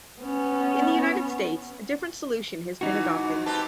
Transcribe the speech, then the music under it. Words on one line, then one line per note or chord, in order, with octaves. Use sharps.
In the United States, a different solution has been adopted.
B3 C#4
E3 D#4 F#4
G#2
C4 G4 B4 A5